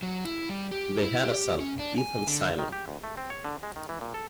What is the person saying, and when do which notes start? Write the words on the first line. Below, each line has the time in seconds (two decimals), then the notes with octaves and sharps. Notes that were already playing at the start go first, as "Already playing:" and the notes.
They had a son, Ethan Simon.
0.02 F#3
0.25 E4
0.49 G3
0.72 G4
1.03 E4
1.24 G4
1.60 C#4
1.79 D4
1.98 G#5
2.27 D3
2.59 D#3
2.72 G4
2.88 D2
3.04 A3
3.17 C4
3.30 C#5
3.45 D3
3.63 G#3
3.76 D#3
3.89 E3
4.01 A#2
4.14 A4